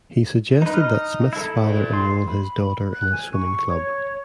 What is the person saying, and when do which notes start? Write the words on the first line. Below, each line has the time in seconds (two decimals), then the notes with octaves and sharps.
He suggested that Smith's father enroll his daughter in a swimming club.
0.62 D#4 B4
0.74 D#4 D#5 F6
1.33 E4 A4
1.60 D2 G2 A#2
1.93 C6
2.26 B5
2.92 F#6
3.12 G#5
3.32 C#6
3.69 C#5